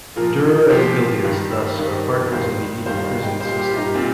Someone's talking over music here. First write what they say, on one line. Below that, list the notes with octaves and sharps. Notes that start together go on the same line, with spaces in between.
Durer and Guildias thus are partners in the evil prison system.
A#2 F3 F4 A#4
A#2 F3 G4 C5
G2 D#3 G3
G2 D#3 G3
G2 D#3 G3 C5 F5
G2 D#3 G3 C5 F5
C5 F5
D#5 G5
A#2 G3 C5 F5
G4 C5
F4
D#4 G4
A#2 G3 C4 F4